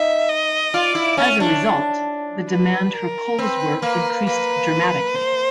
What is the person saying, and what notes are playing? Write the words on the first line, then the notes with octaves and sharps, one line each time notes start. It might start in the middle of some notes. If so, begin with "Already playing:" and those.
As a result, the demand for Cole's work increased dramatically.
Already playing: D#4 E5
D#5
F4 D5
E4
C#4 C#5
D4
B4
A#4
C4 B4
A#3 B4
A#3 B4
C5